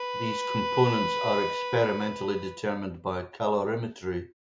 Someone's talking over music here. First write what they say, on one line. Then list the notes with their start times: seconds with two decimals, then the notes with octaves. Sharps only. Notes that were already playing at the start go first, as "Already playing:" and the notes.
These components are experimentally determined by calorimetry.
Already playing: B4